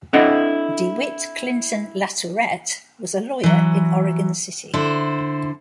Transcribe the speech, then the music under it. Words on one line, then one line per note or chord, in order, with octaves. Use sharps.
DeWitt Clinton Latourette was a lawyer in Oregon City.
C4 D4 E4 A4 D#5 F#5
E3 F#3
D3 E4 C5